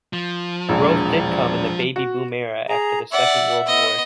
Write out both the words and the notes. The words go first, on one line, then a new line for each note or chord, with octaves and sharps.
Growth did come in the "Baby Boom" era after the Second World War.
F3
E1 A#1
F#4
G#4 A#5
D5 E5 F#5
B3 D#5